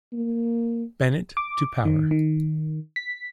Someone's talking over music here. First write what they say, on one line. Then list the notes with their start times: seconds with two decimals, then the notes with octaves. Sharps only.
Bennett to power.
0.13 A#3
1.37 D6
1.85 D#3
2.11 D#3
2.96 B6